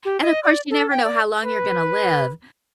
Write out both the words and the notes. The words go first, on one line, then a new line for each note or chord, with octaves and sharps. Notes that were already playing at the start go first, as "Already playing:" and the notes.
And, of course, you never know how long you're gonna live,
G4
D#5
D5
A4
G5
D5
B4